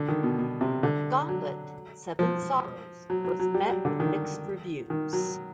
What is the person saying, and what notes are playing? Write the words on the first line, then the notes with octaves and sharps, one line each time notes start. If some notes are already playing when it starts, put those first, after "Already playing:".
"Gauntlet: Seven Sorrows" was met with mixed reviews.
Already playing: D3
D#3
B2
B2
C3
D3
F#3
F3
F#3
F#3
F#3
G3
F#3
D3
D#3
D#3
F#3